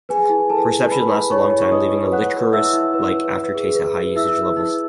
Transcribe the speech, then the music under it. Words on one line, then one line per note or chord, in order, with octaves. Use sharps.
Perception lasts a long time, leaving a liquorice-like aftertaste at high usage levels.
G#4 B4 G#5
E4
A4 B4 A5
B4
B4 B5
B4
E4 C#5 C#6
E4
C#6
B4 D#5 D#6
B4
B4 F#5 F#6
B4
E4 E5 E6
E4
B4
B4
B4
G#4
B4
B4
E4 E5 E6
B4
E4